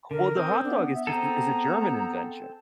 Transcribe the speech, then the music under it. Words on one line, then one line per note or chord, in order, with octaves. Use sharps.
Well, the hot dog is just a is a German invention.
D3 A#4
C4 D#6
B3 D4
E5
C4 G#4 A4 A#5